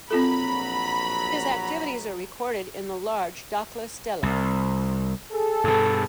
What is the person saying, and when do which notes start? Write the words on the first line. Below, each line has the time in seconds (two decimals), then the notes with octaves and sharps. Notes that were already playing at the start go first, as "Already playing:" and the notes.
His activities are recorded in the Large Dakhla stela.
0.11 A#1 F#3 C4 F4 A4 A#5 B5
4.23 C2
5.31 G#4 A4
5.64 G2 B2